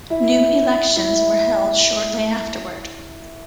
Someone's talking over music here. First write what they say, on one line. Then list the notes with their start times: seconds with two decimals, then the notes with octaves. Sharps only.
New elections were held shortly afterward.
0.10 E4
0.96 E4